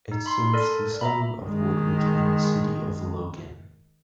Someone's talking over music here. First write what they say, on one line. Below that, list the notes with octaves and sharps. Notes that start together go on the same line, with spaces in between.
It serves the suburb of Woodridge in the City of Logan.
D#4
B5 C6
A4 A#4 D5
E5 A#5 B5
D#3 G#3